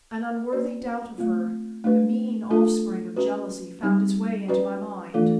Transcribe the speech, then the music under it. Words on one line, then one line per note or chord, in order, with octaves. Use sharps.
An unworthy doubt of her--the mean offspring of jealousy--found its way into my mind.
A#3 C#4 F#4 B4 D5
A3 C4 F4
A3 D4 F#4 B4
A3 D4 F4 A4
C#4 F#4 B4
G3 C4 D#4 G4
C#4 F#4 B4 D5
E3 A3 D4 F4 A4